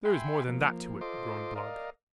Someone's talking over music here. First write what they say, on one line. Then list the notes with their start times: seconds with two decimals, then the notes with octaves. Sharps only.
"There is more than that to it," groaned Blood.
0.05 E5 G5 G#5 B5 C6
0.47 F3 A#3
1.01 F4 A4 C5 D#5 C6 D6
1.55 A#4 D5 D#5 F5